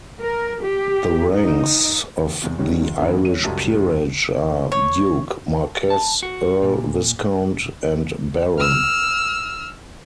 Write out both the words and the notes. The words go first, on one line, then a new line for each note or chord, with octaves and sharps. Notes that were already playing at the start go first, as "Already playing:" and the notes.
The ranks of the Irish peerage are Duke, Marquess, Earl, Viscount and Baron.
A#4
G4
D#4
F1 E2 C3 E3
D#3 F#3 G3 C#4 F#4
C#2
G#2 D3 E3 A#3 B3 C#4
C#5 D#7
C#2 F#2 G3 A5
C#5
A5
F#4
A#2
E6 F6